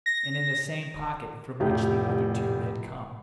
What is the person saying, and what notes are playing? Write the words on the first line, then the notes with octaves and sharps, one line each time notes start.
And in the same pocket from which the other two had come.
A#6
F1 A2 G4